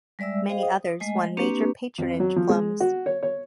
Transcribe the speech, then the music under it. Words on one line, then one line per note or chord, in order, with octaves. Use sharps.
Many others won major patronage plums.
G3 G#3 D5 E5 E6
G#4 C5 D#5 F5 G5
D#6
G#3 A3 D#5 G#5
A#3 C4 D4 G4 B4 C#6
F2
F#3
F3
G#3
F#4
C#5
C#5